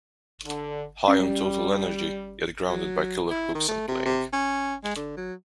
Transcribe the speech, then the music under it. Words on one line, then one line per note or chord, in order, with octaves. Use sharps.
High on total energy yet grounded by killer hooks and playing.
D3
G3 C#4
F#3
E4
D#3
A3
C3
C3
C#4
G#3
D3
F#3